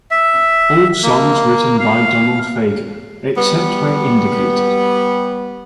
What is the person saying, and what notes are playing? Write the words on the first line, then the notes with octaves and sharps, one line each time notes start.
All songs written by Donald Fagen except where indicated.
E5
A#3
F5
G3 B3